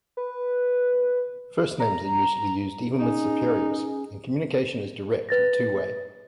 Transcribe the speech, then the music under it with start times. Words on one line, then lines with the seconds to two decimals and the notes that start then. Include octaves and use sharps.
First names are usually used even with superiors, and communication is direct and two-way.
0.17 B4
1.80 A#5
2.99 C#4 D#4 G#4 G#5
5.29 B4 A6 A#6